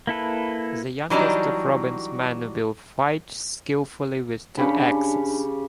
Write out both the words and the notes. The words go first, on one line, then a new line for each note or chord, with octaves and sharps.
The youngest of Robin's men, Will fights skilfully with two axes.
A#3 E4 A4 B4
E3 F#3 G3 D4 D#4
C#3 D4 G4 B5